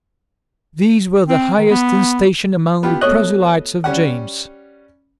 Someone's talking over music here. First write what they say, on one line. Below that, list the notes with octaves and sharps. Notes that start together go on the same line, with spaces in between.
These were the highest in station among the proselytes of James.
C4
D#3
B3
B3 F4 G4
B2 A3 C#5 D#5 F#6
G3 C#4 F#5